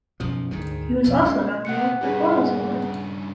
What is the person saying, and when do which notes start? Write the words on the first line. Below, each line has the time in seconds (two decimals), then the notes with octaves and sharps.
He was also nominated for the Broyles Award.
0.20 B1 F#2 F3
0.51 D2 G#2 D#3
1.04 B1 F2
1.22 G#3 A#3 C#4
1.65 C3 B3 F#5 F#6 C#7
2.01 G2 C#3 G4 G#4 B4